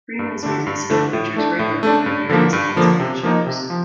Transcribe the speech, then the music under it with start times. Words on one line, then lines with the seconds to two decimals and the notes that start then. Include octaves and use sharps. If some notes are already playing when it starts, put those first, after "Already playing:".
Freeman's music still features regularly on various dance band shows.
0.19 G2
0.43 D3 A3 D4
0.67 G2
0.90 D3 A3 D4
1.13 A2
1.36 A3 D4
1.59 A2
1.83 A3 D4
2.06 G2
2.29 D3 F3 A#3
2.53 G2
2.76 D3 F3 A#3
3.00 C3
3.23 F3 A#3 D#4
3.47 C3
3.70 F3